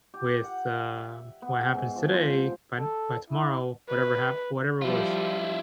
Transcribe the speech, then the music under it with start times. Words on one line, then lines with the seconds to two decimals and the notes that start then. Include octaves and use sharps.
with, uh, what happens today, by by tomorrow, whatever hap whatever was
0.14 G4
0.44 F#5
0.97 E5
1.42 B3
1.61 G#4
1.74 G#2
1.96 F3
2.13 C5
2.79 A4
3.30 E4
3.89 B4
4.82 F3 G3 E4 F4